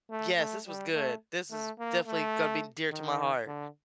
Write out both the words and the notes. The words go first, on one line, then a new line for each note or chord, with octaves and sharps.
Yes, this was good. This is definitely gonna be dear to my heart.
A3
A3
G3
A3
A3
A#3
A3
D#3
D3